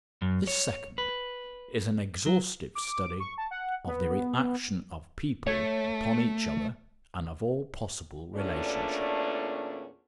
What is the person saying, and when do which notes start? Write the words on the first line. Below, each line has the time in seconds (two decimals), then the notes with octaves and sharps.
This second is an exhaustive study of the reaction of people upon each other and of all possible relationships.
0.22 F#2
0.47 C#5
0.98 B4
2.26 F#3
2.75 D6
3.20 C#6
3.38 A5
3.51 F#5
3.87 B3
5.47 A3 C#5
8.35 E2 A#2 A3 C#4 D4